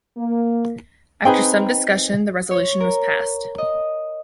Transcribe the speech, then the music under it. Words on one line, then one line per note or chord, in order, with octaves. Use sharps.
After some discussion the resolution was passed.
A#3
C4 D#4 G#4 B4 G5
C#5
A#4
D#5